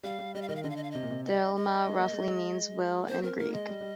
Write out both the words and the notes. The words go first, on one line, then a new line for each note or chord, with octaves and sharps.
Thelema roughly means "will" in Greek.
G3 F5
G3
G3 D#5
F5
D#3 D#5
F5
D3 D#5
F5
D#5
F5
C3 D#5
A#2
C3
D#5
D#5
G#3
A#3
G#3
A#3 C5
C4 A#4
A#3 A#4
G#3 D#5
G3
G3